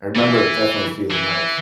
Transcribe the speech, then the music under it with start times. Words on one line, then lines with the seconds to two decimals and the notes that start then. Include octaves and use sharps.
I remember it definitely feeling like,
0.15 E3
1.11 E3